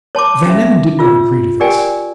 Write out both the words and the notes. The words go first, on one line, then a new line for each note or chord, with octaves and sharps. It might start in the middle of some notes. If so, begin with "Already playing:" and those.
Van Emmon did not agree to this.
C#5 A5 C6 D6
C#4 C#5 E5
F4 E6
G4 A#4 D5 G5 G#5